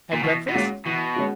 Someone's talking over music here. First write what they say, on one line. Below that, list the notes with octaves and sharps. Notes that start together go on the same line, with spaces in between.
"Had breakfast?"
A#2
B2 E3
B2
A#2 G#3 C#4 F#4
B2 E3
G#3 C#4 F#4